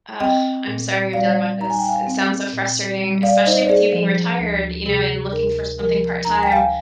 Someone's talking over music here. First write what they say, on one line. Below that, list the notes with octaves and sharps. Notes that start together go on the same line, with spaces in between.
Ugh, I'm sorry you're dealing with this it sounds so frustrating, especially with you being retired, you know, and looking for something part-time.
C4 D#5 G5
A#2
G3 D5 F5
D#4 A#5
G#5
G5
F5 G#5
C4
A#2
G3
D5 F5
D#4 C5 D#5
D5
G#4 C5
F3
D2
C3 G#4
D2 A#4
F3 A#4
D2 A#5
G#5
G5
F5 G#5